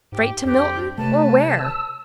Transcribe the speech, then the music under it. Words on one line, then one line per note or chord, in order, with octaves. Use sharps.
Straight to Milton, or where?
G#2 G4 G5
F2 F#3 C4 D4 G4
C3 A3 B4 C#5 A5
E6